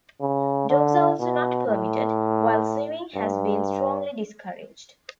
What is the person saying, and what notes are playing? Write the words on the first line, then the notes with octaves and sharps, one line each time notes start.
Dogs are also not permitted, while swimming has been strongly discouraged.
C#3
D3
B2
A2
G2